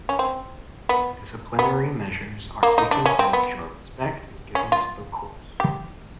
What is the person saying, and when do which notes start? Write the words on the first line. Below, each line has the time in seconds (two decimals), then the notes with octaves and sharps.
Disciplinary measure are taken to make sure respect is given to the course.
0.09 C#4
0.19 C4
0.89 B3
1.59 B3
2.63 A#3
2.78 D#4
2.91 D4
3.06 C#4
3.19 C4
3.33 B3
4.55 C#4
4.72 F4
5.60 G4